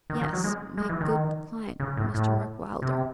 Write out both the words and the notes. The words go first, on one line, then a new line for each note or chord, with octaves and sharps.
'Yes; my good client, Mr. Mark Wylder.
D#3
D#3
F#3
G#3
G#3
E3
D#3
C#3
A2
A2
C3